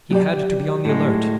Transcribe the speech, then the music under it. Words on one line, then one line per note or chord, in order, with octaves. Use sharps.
He had to be on the alert.
F#3 G4 D5
A2 G#3